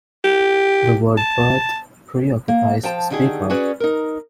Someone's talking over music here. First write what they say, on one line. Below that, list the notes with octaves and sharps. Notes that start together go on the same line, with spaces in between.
The word 'birth' preoccupies Speaker.
G4
A5
A#3
F3 G5 A5
D3 D#3 D#4 G4 G#4
C#4 F#4 G#4 B4 D5
D#4 A#4